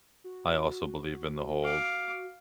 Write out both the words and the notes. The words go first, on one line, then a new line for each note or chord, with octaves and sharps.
I also believe in the whole
F#4
F5 D6